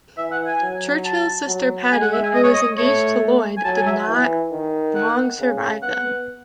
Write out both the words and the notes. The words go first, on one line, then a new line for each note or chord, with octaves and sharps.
Churchill's sister Patty, who was engaged to Lloyd, did not long survive them.
E3 E5
F#5
G#5
F#3
A5
F#3
G#3 G#5
F#5
E5
G#5
D#5
C#5
D#5
A3 C#5
G#5
F#3 A5
G#5
E5
E3
D#3
F#5
C#3
B3 F#5